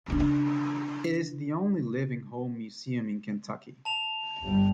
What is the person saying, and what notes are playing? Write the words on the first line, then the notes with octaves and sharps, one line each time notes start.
It is the only living home museum in Kentucky.
C#3 D4
A5 F7
G1 G3